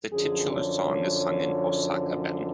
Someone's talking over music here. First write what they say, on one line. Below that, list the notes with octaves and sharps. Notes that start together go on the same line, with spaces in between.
The titular song is sung in Osaka-ben.
F#2 D3 F3 G#4
C#5